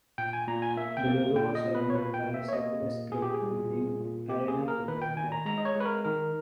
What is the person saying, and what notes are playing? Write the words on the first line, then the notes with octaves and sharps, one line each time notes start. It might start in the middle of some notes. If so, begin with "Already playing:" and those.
The logo was surrounded by a circular script reading, "Arena Football Club".
A#2 G5
G#5
A#2 A#5
G#5
A#3 E5
G5
A#3
A#2 G5
D#5
A#2
B4
C#5
A#3 B4
G5
A#3
E5
C#5
A#3 D#5
A#2
A#2 G#4
G4
G#4
G3
A#2
A#2
A#3 G4
G#4
A#3
A#4
D#3 B4
G5
D#3 G#5
A#5
G#3 A#5
D#5
C#5
G#3 B4
A#4
D#3 A#4